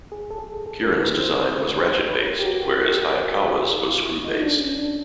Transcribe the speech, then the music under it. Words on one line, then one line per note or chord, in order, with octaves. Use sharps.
Keeran's design was ratchet-based, whereas Hayakawa's was screw-based.
G#4
A4
G#4
A4
A#4
B4
C5
B4
C5
C#5
C5
B4
A#4
G4
F#4
F#4
F#4
F4
E4
D#4
D4
C#4
D4